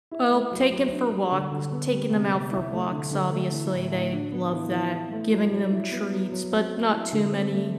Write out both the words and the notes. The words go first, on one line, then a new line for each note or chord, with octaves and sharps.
Well, taking for walks taking 'em out for walks, obviously, they love that, giving them treats, but not too many,
E4
A3
F#3
F#3
D4
G3
D3
D3
B3
G3
C3
C3
E4
A3
D3
D3
A3
E3
A2
A2
D4
B3
E3
E3
E4
A3
F#3
F#3
E4
B3
F#3
F#3
C4
A3
E4
D3
C4
A3